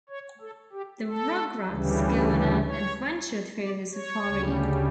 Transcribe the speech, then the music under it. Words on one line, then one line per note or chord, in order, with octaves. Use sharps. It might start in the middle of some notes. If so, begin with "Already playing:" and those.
The Rugrats go on an adventure through the safari.
C#5
A4
G4
A4
D2 C#3 E3 G3
B4
C#5
D5
C#5
D2 C#3 G3